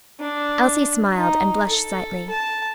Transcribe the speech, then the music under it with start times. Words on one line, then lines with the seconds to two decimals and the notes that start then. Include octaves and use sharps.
Elsie smiled, and blushed slightly.
0.20 D4
1.16 D#4
1.66 A4
2.29 A5